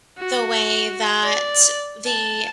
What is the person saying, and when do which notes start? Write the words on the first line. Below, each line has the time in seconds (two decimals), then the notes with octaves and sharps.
the way that the
0.18 F#4
1.23 D5
2.06 A5